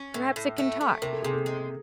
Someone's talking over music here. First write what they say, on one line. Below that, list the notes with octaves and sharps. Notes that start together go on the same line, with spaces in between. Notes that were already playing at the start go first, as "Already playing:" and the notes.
"Perhaps it can talk."
Already playing: C#4
A2
A2
A3
A3
C3 A#4
A4
C3 G#4
A4
G#3